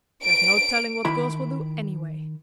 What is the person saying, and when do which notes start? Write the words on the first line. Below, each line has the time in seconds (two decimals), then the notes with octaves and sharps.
There's no telling what girls will do anyway.
0.24 D7
1.05 D#3 E4 B5